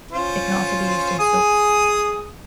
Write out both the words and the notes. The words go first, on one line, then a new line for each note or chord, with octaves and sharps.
It can also be used in soaps.
C#4 F4 C5
G#4 G#5 D#6